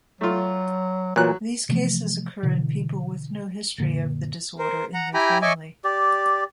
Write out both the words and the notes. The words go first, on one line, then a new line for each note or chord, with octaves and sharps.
These cases occur in people with no history of the disorder in their family.
F#3 A3 F4
A#2 E3 F#3 F#6
C3 E3 F3 A3
B2 D3 E3
F#1 A#2 D3
A#4 C5
F#5 A#5
E4 G4 G5 G#5 A#5 B5
C#5 D#5 E5 G#5 C#6 D6
G4 D5